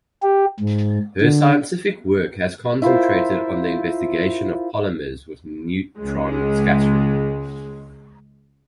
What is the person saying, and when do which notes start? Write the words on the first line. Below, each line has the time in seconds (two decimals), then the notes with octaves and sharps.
Her scientific work has concentrated on the investigation of polymers with neutron scattering.
0.23 G4
0.60 G#2
1.21 D3
2.82 E4 F4 A#4 C5
5.99 C#2 G#3